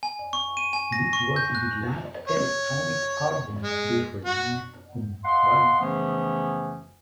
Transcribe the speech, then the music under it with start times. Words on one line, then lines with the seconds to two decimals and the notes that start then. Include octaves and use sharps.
This was the last Electronic album to be released on vinyl.
0.03 G#5
0.33 C#6
0.57 D#7
0.73 G#5
0.92 A#6
1.13 C#6
1.36 G6
1.55 F#6
2.28 C#5
3.63 G#3
4.25 F#4
5.25 D#5 F5 F#5 C6
5.80 C#3 E3 F3 A3 B3 C#4